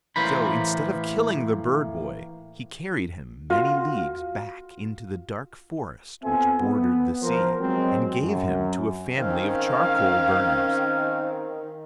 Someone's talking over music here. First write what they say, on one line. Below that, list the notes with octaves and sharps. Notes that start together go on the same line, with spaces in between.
So, instead of killing the bird-boy, he carried him many leagues back into the dark forest which bordered the sea, and gave him to a family of charcoal-burners.
A2 E3 A#3 C5 B5
F4 F#4
B3 C4 F4 A4 E5 G#5
B3
F3 A#4 C5
F#3 G#3 C4
F#2
D#3 C4 C#4 F5